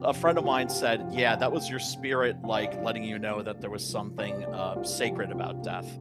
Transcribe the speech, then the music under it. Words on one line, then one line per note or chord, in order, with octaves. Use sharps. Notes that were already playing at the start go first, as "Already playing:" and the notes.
a friend of mine said, "Yeah, that was your spirit, like, letting you know that there was something, uh, sacred about death,
Already playing: F2 C3 F4 G4
F2
F4
G4
A3 F4
F4
C3 G4
F2 F4
F5
F2 G5
A3
C3
F2
C2 F5
D5
F5
F3
C3
A3
C2
F3
C3 D5
A3 D5
C2 F4
F3 G4
C3 F4
A3